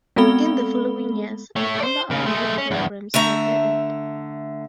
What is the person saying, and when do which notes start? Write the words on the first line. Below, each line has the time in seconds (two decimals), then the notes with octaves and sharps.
In the following years, a number of new programs were added.
0.16 G#3 B3 C4 A4 B5 G7
1.56 A3 C#5
1.80 C5 D5
2.10 D#2 C#3
2.26 G#3 A3
2.58 C#4
2.71 E2 G2
3.14 D3 A3 E5 A#5